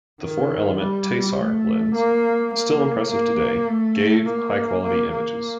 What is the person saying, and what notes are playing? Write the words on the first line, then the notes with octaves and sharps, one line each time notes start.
The four-element Tessar lens, still impressive today, gave high-quality images.
D#3
G3
A3
A#3
A#3
A#3
A3
A#3
A#3
A#3